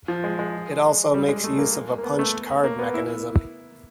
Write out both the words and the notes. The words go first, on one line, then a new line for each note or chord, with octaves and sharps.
It also makes use of a punched card mechanism.
F3
G#3
G#3
G3
G#3
A3
A#3
A#3
B3
A3
A#3
B3
E4